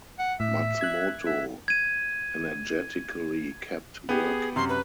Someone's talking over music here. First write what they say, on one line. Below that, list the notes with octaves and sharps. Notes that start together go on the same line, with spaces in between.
Matsumoto energetically kept working.
F#5
A2 E5
F#6 G#6
E5
G#6 D#7
B3 G4 G#4
F#2 C3 C6
B4